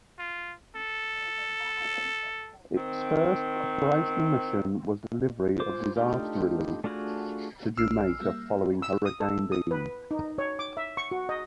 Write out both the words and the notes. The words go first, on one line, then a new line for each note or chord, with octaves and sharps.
Its first operational mission was delivery of disaster relief to Jamaica following Hurricane Dean.
F4
A4
D#3 C4
F4 C5 D6
A3 D4 D#4 F4 G4
A3 D4 F4 F#4 G#4
A#1 D4 E6 F6 C7
G3 A#3 E5
E6
D#6
A4
D#6
B4
D#4
C#5
D6
E5
C#6
F#4
D#5